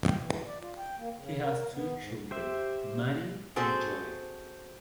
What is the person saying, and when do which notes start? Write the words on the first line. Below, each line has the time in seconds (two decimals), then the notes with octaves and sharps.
He has two children, Madi and Joey.
0.07 G5
0.20 E3
0.46 D5
0.61 F4
0.78 G5
0.97 A#3
1.17 C#3
1.42 A#4
1.59 A#4
1.72 B3
1.96 G#2
2.31 G4 C5 E5
3.56 C4 F#4 G#4 A4 C5